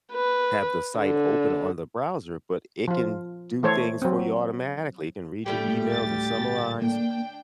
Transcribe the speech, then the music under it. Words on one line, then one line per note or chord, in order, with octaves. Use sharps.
have the site open on the browser, but it can do things for you automatically. It can read your emails and summarize.
B4
D3
F3 F4
E3 A3 A4 C5 C#5
F#3 C4
A2 G3 A3 G4 G5
D2 A6
A#3 D4 G5